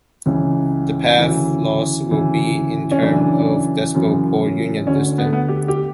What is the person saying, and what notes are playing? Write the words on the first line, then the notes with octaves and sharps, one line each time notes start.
The path loss will be in terms of decibels per unit distance.
C#2 C#3 E3
D2 C#3 E3
D2 C#3 E3
C#4
F#2 C#3 E3 D4
F#2 C#3 E3
D2 D3 C#4
B3
A3
B3
G4
G4